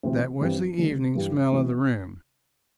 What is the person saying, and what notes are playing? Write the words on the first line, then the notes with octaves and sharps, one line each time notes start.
That was the evening smell of the room.
D2 C3 E3 C4
G2 E3 G3 C4
D2 D3 G3 D4
G2 E3 G3
D2 C3 E3